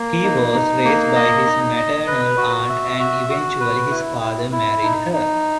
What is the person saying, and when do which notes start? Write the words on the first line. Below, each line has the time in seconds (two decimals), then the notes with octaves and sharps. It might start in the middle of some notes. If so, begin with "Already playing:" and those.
He was raised by his maternal aunt and eventually his father married her.
Already playing: A#3
0.24 D#4
0.54 D#4
0.85 A#3
1.15 D#5
1.46 D#4
1.76 D#5
2.07 B4
2.37 F#4
2.69 E5
2.99 F#4
3.30 F#4
3.60 B4
3.91 E4
4.21 E4
4.52 E4
4.83 D#4
5.13 D#4